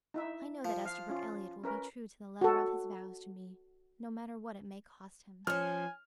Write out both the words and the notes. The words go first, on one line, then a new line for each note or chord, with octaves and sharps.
I know that Esterbrook Elliott will be true to the letter of his vows to me, no matter what it may cost him.
D#4 E4 E5
F3
F4 F5
C#4 F4
C#4 A#4 B4
F#4 A4
F3 C#4 C5 G#5 F6